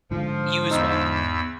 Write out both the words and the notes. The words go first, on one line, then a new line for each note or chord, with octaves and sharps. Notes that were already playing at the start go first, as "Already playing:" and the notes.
You as well.
G#2 D3 F3
E2 D#4 E6